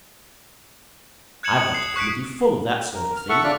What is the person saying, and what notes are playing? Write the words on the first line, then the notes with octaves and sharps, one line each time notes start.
I've got a Committee full of that sort of thing.
F#6 G#6 C#7 E7 F#7
D#6 C#7
D#6 C7
C#6 F#6 B6 C#7 D7
A#4
F6
A4 E5 F#5 C#6
C#3 D4 F4 D5 F6 F#6